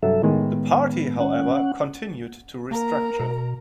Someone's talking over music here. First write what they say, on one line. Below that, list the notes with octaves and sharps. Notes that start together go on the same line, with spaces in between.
The party however, continued to restructure.
G2 C3 F#3 A4 E5
A2 D#3 G#3 B3
C#4 F#5
A#3 A#4 A#5
B2